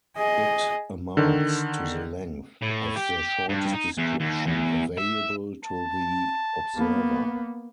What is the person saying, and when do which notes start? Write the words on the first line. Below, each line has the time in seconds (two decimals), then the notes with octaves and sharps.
It amounts to the length of the shortest description "available to the observer".
0.16 G#4 D#5
1.17 D3 D#3
2.62 A2
2.96 G4
3.49 G2
3.73 D#4
3.98 E2
4.20 D#2
4.47 E2
4.98 E5
5.65 A5
6.75 A#3 B3